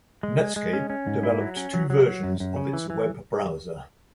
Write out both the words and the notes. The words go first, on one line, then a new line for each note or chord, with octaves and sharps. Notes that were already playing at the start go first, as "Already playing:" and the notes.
Netscape developed two versions of its web browser.
G#3
G#3
G#3
C#4
C#4
G#2
E4
F#3
C#4
F#3
F#3
F#3
F#2
F#2
C#3
E3
E3